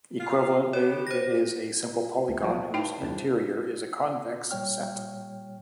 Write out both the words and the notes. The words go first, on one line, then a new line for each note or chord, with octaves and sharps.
Equivalently, it is a simple polygon whose interior is a convex set.
F4 G4 F5
B3 G4 C#5
C5 A#6
D2
C2 F2 F3 F#3 F#4
C#2 G2 D#4 G5 F6
A#1 E2 G2 A5
A#2 G3 C#5 G5 F6